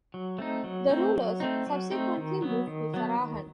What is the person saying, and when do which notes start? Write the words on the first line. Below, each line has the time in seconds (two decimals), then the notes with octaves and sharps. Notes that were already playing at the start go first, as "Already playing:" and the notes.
The rulers subsequently moved to Sarahan.
0.14 F#3
0.39 A3 C4 D#4
0.64 F#3
0.90 A3 C4 D#4
1.16 F#3
1.40 A3 C4 D#4
1.67 F#3
1.91 A3 C4 D#4
2.17 D#3
2.42 F#3 B3
2.67 D#3
2.94 F#3 B3
3.19 D#3